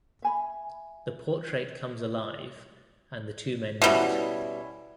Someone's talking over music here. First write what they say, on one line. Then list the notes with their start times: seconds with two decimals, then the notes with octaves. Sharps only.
The portrait comes alive and the two men meet.
0.22 E5 G#5 B5
3.82 B2 G3 C#4 E4 E5